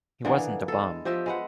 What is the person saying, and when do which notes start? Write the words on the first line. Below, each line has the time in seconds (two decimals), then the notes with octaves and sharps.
He wasn't a bum.
0.25 D3 E3 A#3 B3
0.68 G#3 A4
1.05 F3 G4 D#5 E5
1.26 G#3 B4 F#5